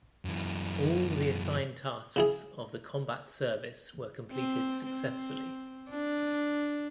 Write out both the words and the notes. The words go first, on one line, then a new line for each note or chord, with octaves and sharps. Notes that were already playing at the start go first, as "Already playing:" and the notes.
All the assigned tasks of the combat service were completed successfully.
F#2 E3
C#3 E4 G#4
C4
C4
D4